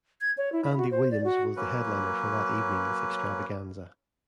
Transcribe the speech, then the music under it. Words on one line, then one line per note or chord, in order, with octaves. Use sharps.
Andy Williams was the headliner for that evening's extravaganza.
G#6
C#5
E4
B5
F#4
C5
D5
F#4
F#3 A#3 C#4 B4